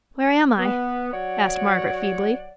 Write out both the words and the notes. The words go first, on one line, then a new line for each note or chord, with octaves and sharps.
"Where am I?" asked Margaret feebly.
B3
F#3 C#5 D5 F#5